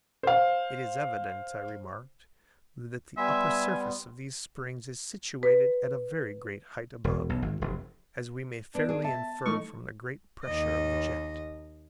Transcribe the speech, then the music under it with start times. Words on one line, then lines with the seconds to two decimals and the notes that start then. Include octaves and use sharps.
"It is evident," I remarked, "that the upper surface of these springs is situated at a very great height above--as we may fairly infer from the great pressure of the jet."
0.23 C5 F5
3.17 G3 B3 E5 G#5 C6
5.43 B4
7.04 E1
7.30 B1
7.42 G#1
7.61 F1
8.75 B3 D4
8.89 D4 G#4
9.04 E5 A5
9.45 E3 A3 D#4 C#6
10.45 D#2 D#5